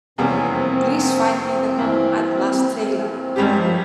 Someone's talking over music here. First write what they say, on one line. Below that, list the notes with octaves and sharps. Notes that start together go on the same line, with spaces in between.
Please find me the Home at Last trailer.
F1 E2 C3 G3 A#3 C#4
C4
C4
G2 E3 A#3 E4 A#4
C4
G#1 G2 G3 G#3 C#4 G4
F3